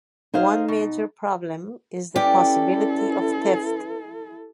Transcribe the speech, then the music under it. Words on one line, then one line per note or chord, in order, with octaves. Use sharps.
One major problem is the possibility of theft.
D#4 G#4 C5 F5
B2
C#4 E4 G4 A4 B4 D5